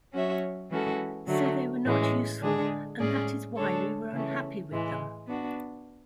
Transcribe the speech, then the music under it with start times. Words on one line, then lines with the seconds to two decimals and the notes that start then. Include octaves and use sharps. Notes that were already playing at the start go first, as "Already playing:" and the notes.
So they were not useful and that is why we were unhappy with them.
0.13 F#3 C#4 F#4 C#5 E5
0.71 E3 G#3 C#4 F#4 A4
1.27 D3 F#3 A3
1.85 A2 E3 G#3 C#4
2.41 D3 G#3 D4 G#4
3.00 A2 G#3 C#4 G#4 D5
3.56 D3 G#3 D4 A4 C#5
4.13 C#3 E3 A3 C#4
4.71 A2 E3 G#3
5.28 B3 D4 F#4